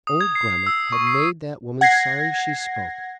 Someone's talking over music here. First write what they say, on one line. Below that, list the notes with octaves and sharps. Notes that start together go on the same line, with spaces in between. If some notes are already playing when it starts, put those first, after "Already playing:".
Old Grammont had made that woman sorry she spoke.
D#6
G#6
C7
C7
E6
C#6
C7
F#5 G#6 A#6 C7